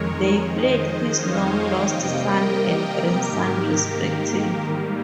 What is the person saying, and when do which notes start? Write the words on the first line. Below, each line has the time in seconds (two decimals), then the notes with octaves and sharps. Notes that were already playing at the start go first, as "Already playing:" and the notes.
They played his long-lost son and grandson, respectively.
Already playing: F2 D#3 G#3 A#4 C#5
0.41 F2 D#3 G#3 C5 D#5
1.11 C#5 F5
1.46 D#5 G5
1.81 C3 G3 A#3 D#5 G5
2.17 G4 A#4
2.51 G4 A#4
3.21 G#2 D#3 A#3 G4 A#4
4.63 G#2 G3 A#3